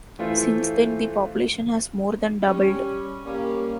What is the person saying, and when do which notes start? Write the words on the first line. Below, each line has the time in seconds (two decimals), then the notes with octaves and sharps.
Since then, the population has more than doubled.
0.19 E3 A3 F4 C5
2.47 G3 C#4
3.26 G3 A#3 C#4